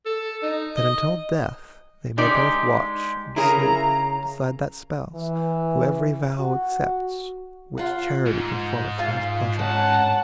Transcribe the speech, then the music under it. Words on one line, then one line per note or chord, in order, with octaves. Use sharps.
That until death they may both watch and sleep Beside that Spouse who every vow accepts Which charity conformeth to his pleasure.
A4
D#4
D#5
G#3 D#4 G4 D5
C#3 E4 G#4 A#4 A#5
E3
F#4
F4 F#5
G#2
F4 F5 G#5
C#4 F#5 A5